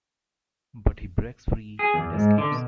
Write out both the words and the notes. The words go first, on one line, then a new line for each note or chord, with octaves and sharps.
But he breaks free and escapes.
G#4
E2
G#2
D3
B2